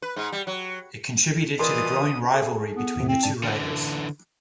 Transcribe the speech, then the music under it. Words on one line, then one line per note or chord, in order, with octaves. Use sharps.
It contributed to the growing rivalry between the two writers.
B4
G#2
G3
F#3
E3 F4 A#4 D5 D#5 C6 D#6
G#4 A4
B3
E2 C3
C4
G#2 D4 A5
D3 E3